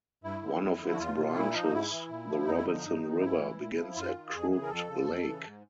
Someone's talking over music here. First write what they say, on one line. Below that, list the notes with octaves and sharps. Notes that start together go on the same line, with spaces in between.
One of its branches, the Robinson River, begins at Crooked Lake.
G2 E4
D3 F3
F2
D3 F3
F#4
E2 F4
B2
A#2 E4
F3 D#4
G#2 E4
E3
A#2
F3
F2 D#4
E4
D3 F3 D#4
G2
D#3
G#2 E4
E3
A#2
F3
F#2 F4
D#3
F2 G#4
C#3 E3 G#4
A#4
F2 A4
C#3 F3
F2
C#3 E3
G#2